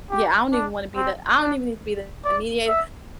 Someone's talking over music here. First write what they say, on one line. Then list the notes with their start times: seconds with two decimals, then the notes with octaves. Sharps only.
Yeah, I don't even wanna be the I don't even need to be the mediato
0.11 G4
0.52 D4
0.96 C4
1.39 D4
2.25 D5
2.68 E5